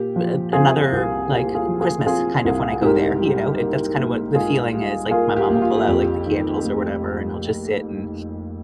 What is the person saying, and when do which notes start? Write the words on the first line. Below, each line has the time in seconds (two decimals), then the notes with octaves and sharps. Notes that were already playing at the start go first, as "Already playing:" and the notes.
a another, like, Christmas kind of when I go there, you know? It that's kind of what the feeling is. Like, my mom will pull out like the candles or whatever and I'll just sit and
Already playing: A#2 G4
0.16 F3
0.53 C4 F4 G#4
0.92 C2
1.30 A#2 G4
1.55 F4 G#4
1.68 F3
1.81 F4 G#4
2.06 C4 F4 G#4
2.45 C2
2.82 G#2 G4 A#4
3.20 G3
3.58 A#3
3.97 A#1
4.35 G#2 F4 G#4
4.73 G3
5.11 A#3 F4 G#4
5.37 G4
5.50 A#1
5.62 F4
5.87 F2 G4
6.26 D#3
6.64 F1